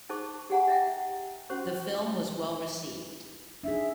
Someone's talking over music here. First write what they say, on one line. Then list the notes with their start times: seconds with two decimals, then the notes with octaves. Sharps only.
The film was well received.
0.09 D#4 G#4 C5 A5 C#6 D6
0.50 G4 G#4 F#5 G#5 A#5
0.68 D#5 E5 F#5 G5
1.50 C#4 F#4 C5 C#6
3.63 D4 D#4 G#4 E5